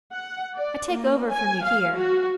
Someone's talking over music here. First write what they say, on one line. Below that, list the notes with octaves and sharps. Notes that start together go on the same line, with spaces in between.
'I take over from you here.
F#5
D5
A#3
G#5
F5
F#4